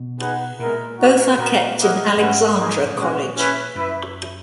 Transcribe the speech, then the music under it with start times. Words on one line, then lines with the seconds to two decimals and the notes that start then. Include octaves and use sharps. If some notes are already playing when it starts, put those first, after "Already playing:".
Both are kept in Alexandra college.
Already playing: B2
0.19 D#4 G#4 B4 F#5
0.59 A#2 G#3 B3 E4 A#4
0.98 A#3 D#4 F#4
1.38 A#2 B3 F#4 A#4
1.78 A#3 E4 A#4 D#5 F#5
2.17 G#2 C#4 E4 B4 F#5
2.57 A#3 D#4 G#4
2.85 G#2
2.96 A#2 G#3 C#4 F#4
3.36 C#4 E4 B4
3.75 F#2 E4 B4 E5